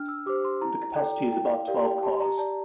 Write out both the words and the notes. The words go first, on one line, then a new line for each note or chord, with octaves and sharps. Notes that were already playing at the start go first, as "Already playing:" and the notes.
The capacity is about twelve cars.
Already playing: D4 F6
E6
G4 C5 D6
C6
E4 A#5
A4 D5 G5
E4 G5
F5
G4 A#4 D5 F5
G5
G4 A5
A#5
D5 A5